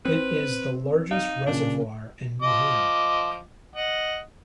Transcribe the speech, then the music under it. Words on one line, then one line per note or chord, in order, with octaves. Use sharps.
It is the largest reservoir in Wuhan.
C4 B4 C5
D#4 F5
A#2 C#3 D4
F3 D#5 D6
D#5 F#5